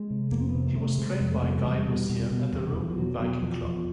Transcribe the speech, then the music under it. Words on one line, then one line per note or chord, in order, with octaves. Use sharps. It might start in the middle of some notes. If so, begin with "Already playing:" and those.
He was trained by Guy Boissière at the Rouen Viking Club.
Already playing: G#3
C3
F2 A#3
C4
B3
C3
A#3
C3 G#3
A3
C3 G#3
G#3
F2
A3
C3
G3
G#3
E2
G3
B2
B2
B2
E2
E2
F3
B2 F#3
B2 F#3
E2 F3
E2 F3